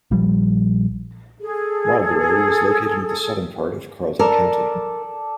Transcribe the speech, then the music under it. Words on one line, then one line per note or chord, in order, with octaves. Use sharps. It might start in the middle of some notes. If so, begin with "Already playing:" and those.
Marlborough was located in the southern part of Carleton County.
A#1 F3 G3
G#4 A4
A4 A#4 D5 A5